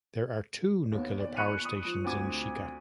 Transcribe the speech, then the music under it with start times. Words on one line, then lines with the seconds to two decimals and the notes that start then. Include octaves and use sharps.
There are two nuclear power stations in Shika.
0.92 D#2 B3
1.19 D5
1.36 B5 C#6 F#6 C#7 D#7 F7
1.65 D#6
1.85 F3
2.04 D2 C4 F#4 D6 G#6 D#7